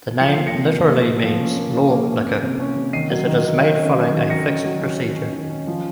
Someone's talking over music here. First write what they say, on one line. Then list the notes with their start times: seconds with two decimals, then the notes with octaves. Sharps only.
The name literally means "law liquor", as it is made following a fixed procedure.
0.20 F3 C#7
0.33 A#3 C7
0.47 A#6 C#7
0.54 C3
0.71 F3
0.88 A#3
1.05 A#3
1.23 F3
1.40 C#4
1.57 A#3
1.73 C#4
1.90 A#3
2.08 C#4
2.25 A#3
2.42 C3
2.60 C#4
2.76 C3
2.93 D#3 C7 D#7
3.10 F#3
3.27 D#3
3.45 D#3
3.62 D#3
3.79 C#4
3.96 F#3
4.13 D#3
4.30 D#3 A#6 C#7
4.47 C#4
4.64 F#3
4.82 C#4
4.99 D#3
5.15 C#4
5.33 D#3
5.49 C#4
5.67 F3